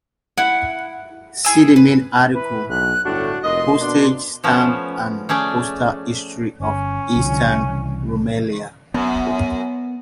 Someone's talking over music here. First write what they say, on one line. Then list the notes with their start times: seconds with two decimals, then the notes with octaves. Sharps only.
See the main article, Postage stamps and postal history of Eastern Rumelia.
0.37 E4 F#5
1.45 E4 G#4 E6
1.76 B4
2.34 E3 B4
2.69 B1 F#6
3.05 G1 A2 D4 F#4
3.44 F1 A#3 D#5 C6
3.81 B2 D4
4.44 F3 A3 B3 C#4
5.29 A3 C#4 G#4 D5
6.60 G1 C#4
7.15 C2 D3 E3 F3
7.65 C#3 E3
8.94 F#2 B3